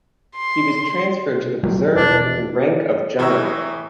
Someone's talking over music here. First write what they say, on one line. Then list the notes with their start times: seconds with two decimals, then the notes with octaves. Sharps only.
He was transferred to the reserve with the rank of general.
0.37 C6
1.63 F#3 A3 C4
1.96 E1 D4
3.19 A2 E3 E5 A#5 C#6 E6